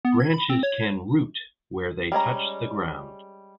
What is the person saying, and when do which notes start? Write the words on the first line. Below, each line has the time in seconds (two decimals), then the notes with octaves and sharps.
Branches can root where they touch the ground.
0.05 B3
0.20 G#6
0.34 B5
0.50 C4
0.63 C#5
2.12 G3 G#3 C#4 A#5